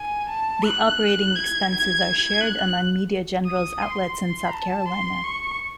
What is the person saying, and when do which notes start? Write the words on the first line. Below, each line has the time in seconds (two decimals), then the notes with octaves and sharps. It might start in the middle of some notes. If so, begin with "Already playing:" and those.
The operating expenses are shared among Media General's outlets in South Carolina.
Already playing: G#5
0.30 A5
0.64 F#6
1.35 G#6
1.71 G#6
2.41 F#6
3.46 D#6
3.82 C6
4.18 C6
4.53 A5
4.89 C6
5.24 C#6